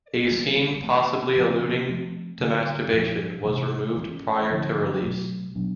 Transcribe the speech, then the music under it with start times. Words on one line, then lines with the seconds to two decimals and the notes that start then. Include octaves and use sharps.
A scene possibly alluding to masturbation was removed prior to release.
0.31 D#3 G3 A#3
0.83 E3 A3 C4
1.36 C#3 F3 G#3 C#4
1.88 F3 A3 C4
2.40 D3 G3 A#3
2.93 A#2 F3 G#3
3.45 C3 E3 G#3
3.97 E3 G#3 C#4
4.50 D3 F3 A3 C#4
5.02 B2 F#3 A3
5.55 B2 F#3 B3 D4